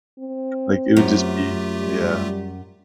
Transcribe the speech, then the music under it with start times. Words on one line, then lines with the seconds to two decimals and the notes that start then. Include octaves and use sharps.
like, it would just be Yeah.
0.19 C4
0.97 F#2 A3 F4 G4
1.79 G3